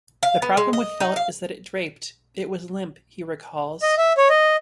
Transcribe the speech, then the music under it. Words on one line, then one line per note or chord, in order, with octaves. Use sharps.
"The problem with felt is that it draped, it was limp," he recalls.
F5
B3
G#3
D#5
D#4
F5
D#5
E5
C#5
D#5